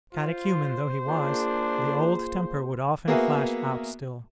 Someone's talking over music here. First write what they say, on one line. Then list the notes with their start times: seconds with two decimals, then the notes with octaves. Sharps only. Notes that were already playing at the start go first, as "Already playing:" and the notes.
Catechumen though he was, the old temper would often flash out still.
0.13 F4 C5
1.08 A#3 D4 F4 G#4
3.08 A#3 B3 F#4 G#4 A#4 E5